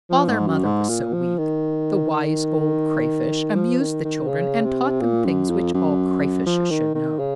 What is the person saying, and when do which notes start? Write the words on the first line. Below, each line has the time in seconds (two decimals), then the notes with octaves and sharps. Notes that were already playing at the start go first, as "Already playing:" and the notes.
While their mother was so weak, the Wise Old Crayfish amused the children, and taught them things which all Crayfishes should know.
0.10 F3
0.28 G#2
0.47 F#2
0.65 G#2
0.89 A#2
1.13 F3
1.38 D#3
2.11 D#3
3.55 F3
3.80 D#3
4.04 D#3
4.28 C#3
4.64 C3
5.01 A#2
5.25 F#2
5.50 F2
5.74 F#2
6.46 F3
6.71 D#3
6.95 D#3
7.19 C#3